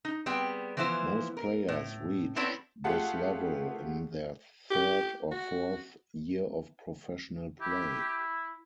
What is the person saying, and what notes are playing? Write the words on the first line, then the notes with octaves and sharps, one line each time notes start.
Most players reach this level in their third or fourth year of professional play.
D#4
G3 B3 C4 G#4 G5
E3 F3 B3 E4 C5
A#4
A2
B3 C4 E4 C#5 D5 A5
A3 F4 G4 G#4 F#5 A5
G4
F#4
E4 G4